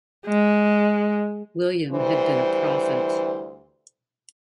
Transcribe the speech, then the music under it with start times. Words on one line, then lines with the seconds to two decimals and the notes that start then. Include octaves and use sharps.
William had been a prophet.
0.26 G#3
1.92 D2 E3 G3 C5